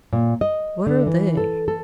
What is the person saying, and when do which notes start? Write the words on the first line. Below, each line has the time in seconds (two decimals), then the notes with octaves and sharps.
"What are they?"
0.13 A#2
0.41 D#5
0.87 D3
1.07 E3
1.37 A4
1.68 A4